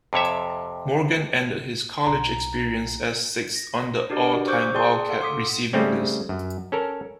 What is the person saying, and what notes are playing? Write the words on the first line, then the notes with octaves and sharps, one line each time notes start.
Morgan ended his college experience as sixth on the all-time Wildcat receiving list.
F2 C3 C#5 E5
B1 A#5
A#6
D4 F#4 G4 A#4 D5
C5 C#6 D6 E6 F#6 G6
G#4 D5 G5 A5 C6 F#6
A4 F5 F#5 C6
C6 D6 D#6 B6
C#3 G3 A3 C4 C#4
F#2
C#4 A4 A#4